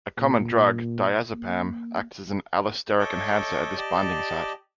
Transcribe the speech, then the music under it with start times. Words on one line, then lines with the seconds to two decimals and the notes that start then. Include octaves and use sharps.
A common drug, diazepam, acts as an allosteric enhancer at this binding site.
0.17 A#2
1.34 A#3
2.99 A4 C#5 D#5 E5 D6 G6
3.77 G4 D5 D#5 A5